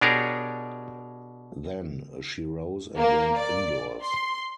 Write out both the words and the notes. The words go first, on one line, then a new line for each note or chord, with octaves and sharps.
Then she rose and went indoors.
B2 D4 G4 G#4 A#4 C#5
A#3
D5
C6